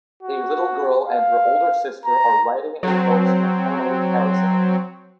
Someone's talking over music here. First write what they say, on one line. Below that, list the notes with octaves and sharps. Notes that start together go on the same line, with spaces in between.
A little girl and her older sister are riding a horse in a carnival carousel.
F#4
F5
A#5
F#3 C4